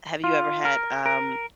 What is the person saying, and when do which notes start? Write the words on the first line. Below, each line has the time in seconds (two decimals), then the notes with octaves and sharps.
Have you ever had, um,
0.24 F4
0.65 A#4
1.06 A#4